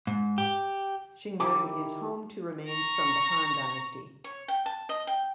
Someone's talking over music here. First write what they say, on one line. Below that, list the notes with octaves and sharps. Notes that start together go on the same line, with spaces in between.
Xingyang is home to remains from the Han dynasty.
G#2
G4
D#3 E4 G4 D6
A#5 C#6
C#5
G5
A5
D#5
G5